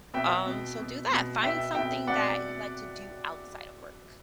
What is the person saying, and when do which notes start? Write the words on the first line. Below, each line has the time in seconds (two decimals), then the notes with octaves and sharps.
Um, so do that. Find something that you like to do outside of work.
0.14 B2 E5 G5
0.46 B2
0.78 B2
1.11 B2
1.43 B2 E5 G5
1.75 B2 E5 G5
2.07 B2 D5 F#5